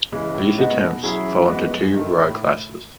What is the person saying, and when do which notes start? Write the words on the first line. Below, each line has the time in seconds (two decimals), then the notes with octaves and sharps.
These attempts fall into two broad classes.
0.12 C#3 E3 G#3
0.34 A2
0.58 G#3 B3 D#4 F#4
0.80 B2
1.03 F#3 C#4 E4 G#4
1.26 E3
1.49 G#3 B3 F#4
1.71 F#2
1.94 D#3 A3
2.17 A2